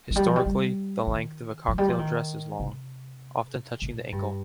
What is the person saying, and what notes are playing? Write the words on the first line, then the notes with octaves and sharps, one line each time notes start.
Historically the length of a cocktail dress is long, often touching the ankle.
F3
G3
F3
G3
G3
D#3
F3
G3
F3
D#3
C3
B2
G2